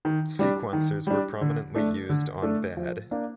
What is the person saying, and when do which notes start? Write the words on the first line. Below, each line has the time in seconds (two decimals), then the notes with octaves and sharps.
Sequencers were prominently used on "Bad".
0.05 D#3
0.39 G3 D4
0.73 D#3
1.07 G3 D4
1.41 D3
1.75 A3 D4 A4
2.09 D3
2.42 A3 D4 A4
2.77 F3
3.11 A#3 D4